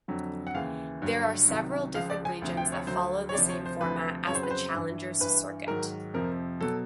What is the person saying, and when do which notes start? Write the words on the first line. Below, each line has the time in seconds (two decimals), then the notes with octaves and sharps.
There are several different regions that follow the same format as the Challengers Circuit.
0.08 F2 D3 F#3
0.47 F#5
0.55 D#2 C#3 E3 F5
1.02 G2 D3 F#3
1.48 C2 C3 D#3 F#3
1.94 C#2 C#3 F3 F5
2.10 D5
2.25 G#5
2.42 D2 C3 F3
2.57 G5
2.72 C#5
2.87 D2 D3 F#3 C5
3.29 C#5
3.34 D2 C3 F3 D5
3.49 C#5
3.66 C5
3.80 D2 C3 F3 B4
4.27 F2 C#3 F#3 C#5
4.35 C5
4.43 B4
4.51 C5
4.74 G2 E3
5.20 G2 E3 B4
5.67 G#2 D#3 F#3 A#4
6.14 F2 C3 F3 A#4
6.61 B2 F#3 A4